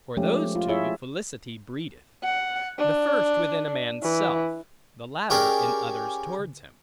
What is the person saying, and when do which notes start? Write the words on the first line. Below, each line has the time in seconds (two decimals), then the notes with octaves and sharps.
For those two, Felicity breedeth; the first within a man's self, the latter in others towards him.
0.17 F3 G#3 A3 C#4 G4
0.55 F4
0.69 E4 F4 G#4 C#5 E5
2.24 F#5
2.79 D4
4.03 E3
5.30 C#4 G4 G#4 A#4 D5